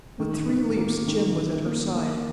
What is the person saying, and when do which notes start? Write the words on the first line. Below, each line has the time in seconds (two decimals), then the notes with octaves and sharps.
With three leaps Jim was at her side.
0.20 D#3
0.48 D#3
0.78 A#3
1.07 D#3
1.36 D#3
1.66 A#3
1.96 A#3